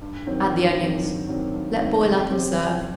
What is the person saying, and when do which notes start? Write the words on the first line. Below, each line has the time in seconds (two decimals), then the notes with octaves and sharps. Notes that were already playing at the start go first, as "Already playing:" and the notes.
Add the onions; let boil up and serve.
0.01 G2
0.26 D#3 F#3 C4
0.52 G2
0.78 D#3 F#3 C4
1.02 G2
1.27 D#3 F#3 C4
1.54 G2
1.78 D#3 F#3 C4
2.04 C3
2.29 F#3 C4 G4 C5